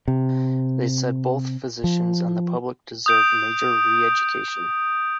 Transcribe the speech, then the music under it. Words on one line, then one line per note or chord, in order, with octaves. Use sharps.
They said both physicians and the public deserve major re-education.
C3
F3
D#6 G6 D7